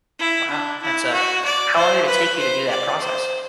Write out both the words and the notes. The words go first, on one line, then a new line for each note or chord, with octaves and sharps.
Wow, that's a How long did it take you to do that process?
E4
D4
E4
F#4
D5
C5
B4
C5
D5
C5